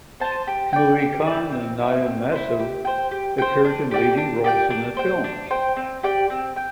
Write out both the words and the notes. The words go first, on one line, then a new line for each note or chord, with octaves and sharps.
Moin Khan and Nyla Masood appeared in leading roles in the film.
C5 A5
G4
D5 G5
G4
D5 G5
C4
E4 C5
C4
E4 C5
G4
C5 G5
G4
C5 G5
D4
G4 D5 G5
D4
G4 D5 G5
D4
C5 G5
D4
C5 G5
C4
G4 D5 G5
C4
G5